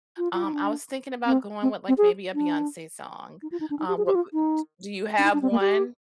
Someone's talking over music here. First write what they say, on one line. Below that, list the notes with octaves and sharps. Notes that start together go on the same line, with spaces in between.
Um, I was thinking about going with, like, maybe a Beyonce song, um, what, w d do you have one?
F4
F4
D#4
D4
C4
C4
C4
G#4
D4
D#4
F4
D#4
D4
D#4
G4
G#4
G4
F4
D#4
D4
D#4
D4
C4
A#3
G4